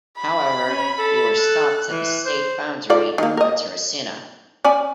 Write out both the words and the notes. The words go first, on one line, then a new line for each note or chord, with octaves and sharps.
However, they were stopped at the state boundary at Terracina.
B5
C#4
A4
F#6
E3
C5
F4 A4 D5
D#3 A#3
A#4 D#5
C#4 D5 G#5